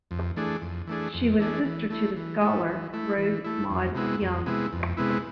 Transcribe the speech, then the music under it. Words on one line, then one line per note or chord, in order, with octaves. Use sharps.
She was sister to the scholar Rose Maud Young.
F2
E3 A3 D4 G#4
F2
E3 A3 D4 G#4
F2
E3 A3 D4 G#4
E3
A3 E4
E3
A3 E4
E3
A3 E4
E3
A3 E4
F2
C3 G#3 B3 E4
F2
C3 G#3 B3 E4
F2
C3 G#3 B3 E4